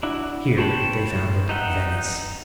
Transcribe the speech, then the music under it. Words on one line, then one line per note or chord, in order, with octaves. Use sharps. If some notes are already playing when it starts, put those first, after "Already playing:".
Here they founded Venice.
D4 E4 F#4
C5 C#5 G5 A5 B5
D#4 E5 F#5 G5